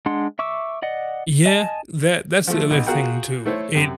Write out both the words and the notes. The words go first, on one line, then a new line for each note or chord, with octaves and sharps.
Yeah, that that's the other thing too, it
G#3 D4 F#5 C6
E5 C#6 D6 E6
D5 D#5 F#5
D#5 G#5 A5
F3 A3
B1
F4 F#4 G#4 A#4 F#5 G5
A3 E4 A4 C5 C#5
F#2 C3